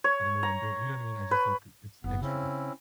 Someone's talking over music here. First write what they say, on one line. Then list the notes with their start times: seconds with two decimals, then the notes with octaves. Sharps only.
I don't know what I'm doing, you know what I mean? I just look it's extra.
0.04 C#5
0.43 A#5
1.31 B4
2.04 F#1 B3
2.22 C#3 C4 C#4 E4